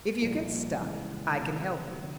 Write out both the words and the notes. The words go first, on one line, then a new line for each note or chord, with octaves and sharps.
If you get stuck I can help you.
C2 A#2 F3 A#3
C#3 E3 G#3 C#4
C3 F3 A3
D3 F3